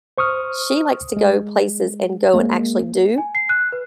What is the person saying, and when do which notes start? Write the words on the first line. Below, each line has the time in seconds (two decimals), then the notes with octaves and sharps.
she likes to go places and go and actually do.
0.18 C5 C#6 D#6 F6
1.17 G#3
2.34 G#3 A#3
3.18 G#5
3.35 C7
3.49 F#6
3.72 B4